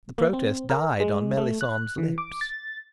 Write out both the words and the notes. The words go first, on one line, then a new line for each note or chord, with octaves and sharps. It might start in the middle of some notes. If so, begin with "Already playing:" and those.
The protest died on Melisande's lips.
A#3
C4
A#4
G#3
A3
F#6
E3
D6
A6